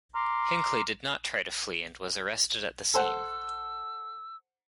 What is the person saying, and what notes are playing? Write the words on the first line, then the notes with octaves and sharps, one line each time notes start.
Hinckley did not try to flee and was arrested at the scene.
A#5 C6 D6 F6
A4 C5 F#5 E6